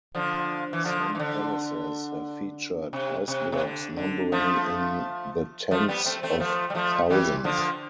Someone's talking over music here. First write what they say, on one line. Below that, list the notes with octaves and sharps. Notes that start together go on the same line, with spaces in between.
Some palaces have featured ice blocks numbering in the tens of thousands.
D3 F3
E3
D3 F3
E3
D3
C3
C3
C3
D3
D3
F3 A3
F3 A3
G3 B3
A3 C4
A3 C4
F3 A3
G3
F3 A3
E3 G3
D3 F3